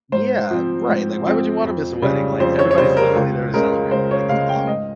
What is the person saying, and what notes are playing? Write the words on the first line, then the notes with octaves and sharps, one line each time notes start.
Yeah, right, like, why would you want to miss a wedding? Like, everybody's literally there to celebrate, like, it's awesome.
G#2 C5
F3 C4
G#2
F3 C4
F2
C#3 G3
F2 C5
C#5
C#5
C#3 G3 C5
A#4
C#2
C#3 G#3 A#4
C#2 C5
C#5
C#3 G#3 F5
G5
G#2 D#5